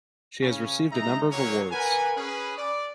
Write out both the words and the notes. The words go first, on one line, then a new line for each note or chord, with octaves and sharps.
She has received a number of awards.
C#3 C#4
G#3 D#4 E5 A#5
A#2 C#3 F#3 A#3 C#4 C#5
A#4 B4 F#5 G#5
C#4 G#4 B4
D5